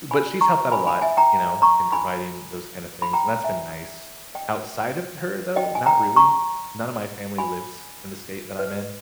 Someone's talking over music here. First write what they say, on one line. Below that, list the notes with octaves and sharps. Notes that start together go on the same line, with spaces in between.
but she's helped out a lot, you know, in providing those kinda things, and that's been nice. Outside of her, though, not really. None of my family lives in the state that I'm in,
G#5 B5
A#5 C#6
G#5 B5
G#5 B5
E5 G#5
G5 A#5
A#5 C#6
G#5 B5
B5
G5 A#5
E5 G#5
D#5 G5
D#5 G5
G#5
G5 A#5
A#5 C#6
G#5 B5
B4 D#5